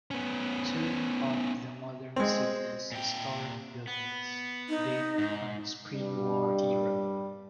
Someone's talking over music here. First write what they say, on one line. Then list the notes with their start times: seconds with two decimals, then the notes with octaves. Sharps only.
Two of the modern city's historic buildings date from this prewar era.
0.11 B3 C#4
2.16 G#3 C4
2.92 A#2 G5
3.87 B3
4.69 D#4
5.18 G#2
5.93 G2 G3